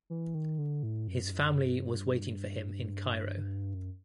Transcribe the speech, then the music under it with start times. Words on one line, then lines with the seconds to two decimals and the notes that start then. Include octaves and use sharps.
His family was waiting for him in Cairo.
0.10 E3
0.35 D#3
0.58 D3
0.83 A2
1.08 F#2
1.27 G2
1.31 F#2
1.56 G2
3.74 F#2